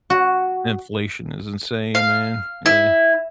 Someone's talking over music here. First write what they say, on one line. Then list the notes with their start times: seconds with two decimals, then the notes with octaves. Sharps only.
Inflation is insane, man, yeah.
0.10 F#4
1.95 F5
2.66 E4